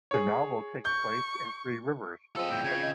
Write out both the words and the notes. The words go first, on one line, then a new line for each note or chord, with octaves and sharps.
The novel takes place in Three Rivers, Connecticut.
G#4 C#5
C#6 G6
F3 G#3 C4 A4 D#5 E6
E2 A2 G5 G6
C#3 G#4 D5 E5 G#6
D#5 G6